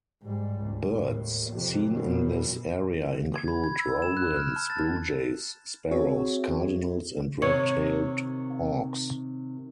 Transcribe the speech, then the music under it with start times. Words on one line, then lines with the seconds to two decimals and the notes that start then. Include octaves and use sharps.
Birds seen in this area include robins, blue jays, sparrows, cardinals and red-tailed hawks.
0.23 G#2 G3
0.59 C#2
0.91 D#2 A2
1.50 F2 C3
1.90 F#2 B2
3.35 G#6
3.48 B5
3.64 G#6
3.79 E6
4.02 E7
4.17 F#6
4.36 F6
4.56 A5
4.70 A6
5.91 C4 F#4 G#4 C#5 E5
7.42 C3 D#3 C#5